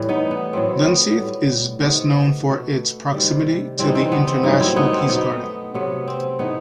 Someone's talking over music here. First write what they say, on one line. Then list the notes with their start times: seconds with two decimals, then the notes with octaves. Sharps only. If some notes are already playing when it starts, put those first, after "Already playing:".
Dunseith is best known for its proximity to the International Peace Garden.
Already playing: A2 E3 G3
0.09 B3 D#4
0.31 B3
0.53 A2 F#3 A3 C4
0.86 B3
1.17 A2 G3
1.83 C3 D#3 A3 B3
2.49 B2 A3
3.14 C3 D#3 G3
3.79 C3 E3 G3 C4
3.88 D#4
3.95 C4
4.12 B3
4.27 C4
4.43 G2 F#3 A3 B3 D#4
4.60 C4 E4
4.76 B3 D#4
4.93 C4
5.09 B2 A3 B3 D#4
5.74 C3 F#3 A3 B3
6.08 C4
6.39 E3 A3 B3 D#4